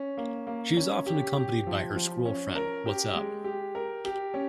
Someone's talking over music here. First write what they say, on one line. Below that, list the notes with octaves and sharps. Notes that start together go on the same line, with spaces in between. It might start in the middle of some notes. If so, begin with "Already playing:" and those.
She is often accompanied by her squirrel friend, Whatzup.
Already playing: C#4
A#3
A#3
C#4
G4
G4
F3
F3
C#4
A#4
G4
G#3
G4
A#4
G4
C#4